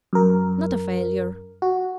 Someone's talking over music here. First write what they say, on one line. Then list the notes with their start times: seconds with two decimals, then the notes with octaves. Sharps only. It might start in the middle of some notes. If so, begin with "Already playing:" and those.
'Not a failure.
0.13 F#2 A#4
1.62 F#4